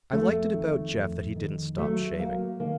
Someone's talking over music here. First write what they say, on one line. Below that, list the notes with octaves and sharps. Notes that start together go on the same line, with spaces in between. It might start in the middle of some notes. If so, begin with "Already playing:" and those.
I liked it about Jeff that he didn't stop shaving.
F2 A3
D#3
F2
D#3
F#3 A3
F#3 A#3
D#3 A#3